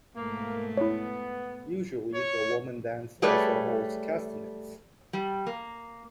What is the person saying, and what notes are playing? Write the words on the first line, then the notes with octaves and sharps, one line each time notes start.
Usually the woman dance also holds castanets.
G#2 B2 A3 A#3
B3 E4 C#5
C#5
G3 A3 G#4 B4 C#5 D5
G3
A#3